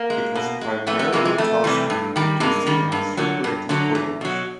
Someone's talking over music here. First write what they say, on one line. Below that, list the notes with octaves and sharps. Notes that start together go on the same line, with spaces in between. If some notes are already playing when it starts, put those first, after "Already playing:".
It was primarily tasked with producing and circulating coinage.
Already playing: A#3
G#3
B2
G#3
F2 A3 B3
A3 B3
C3 E3 G#3 A#3
G#3
F2 A3
C3 E3 G3
G2
D#3 G3
G2 G#3 A#3
D#3 G3
G2
D3 F#3
G2
D3 F#3
E2
B2 F#3